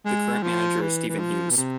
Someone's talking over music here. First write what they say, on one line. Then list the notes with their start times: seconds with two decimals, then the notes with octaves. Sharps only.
The current manager is Stephen Hughes.
0.05 G#3
0.43 F3
0.81 E3
1.09 E3
1.19 F3
1.50 B2
1.56 C3